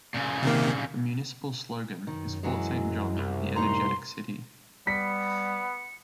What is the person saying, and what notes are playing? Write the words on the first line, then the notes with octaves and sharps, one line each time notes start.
The municipal slogan is "Fort Saint John: The Energetic City".
A#2 C#3
C3 D#3 A#3
F#2 D#3
E3 F#3 G#3
C2
A2 D#4 A#5 C6
G3 B3 B6 C#7